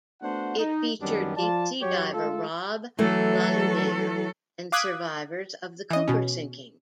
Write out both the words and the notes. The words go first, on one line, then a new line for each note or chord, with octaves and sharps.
It featured deep-sea diver Rob Lalumiere and survivors of the "Cooper" sinking.
A3 B3 D4 F#4 C5 F#5
D#4
F#2 D#3 G3 B3 C#4 D4
F3 F4 D5 A5
F#2 F#3 F#4 G4 C#5
G#3 A3 F4 A4
E3 F#3 A3 A4
F5 D6 D#6 F#6 G#6 B6
E3 D#5
B2 C#4